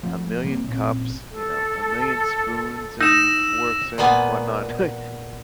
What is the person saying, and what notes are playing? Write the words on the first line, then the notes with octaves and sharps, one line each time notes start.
a million cups, you know? A million spoons, and forks, and whatnot, and I
F3 A3
C3 G3 A3 A#3
G#1 A#2 C4 C#4
A4
D#4 E6 A#6 E7
A#2 A#3 B3 G#5